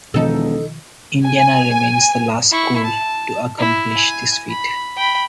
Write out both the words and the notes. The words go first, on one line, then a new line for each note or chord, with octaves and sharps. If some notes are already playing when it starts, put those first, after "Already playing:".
Indiana remains the last school to accomplish this feat.
E1 B2 D#3 F3 D#4 A4
G#5
E4 C#6
A5
E4
G#5
B5
G5 B5